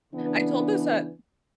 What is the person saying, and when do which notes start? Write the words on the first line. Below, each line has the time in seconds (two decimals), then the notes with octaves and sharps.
I told this at,
0.13 C#3 E3 B3 D4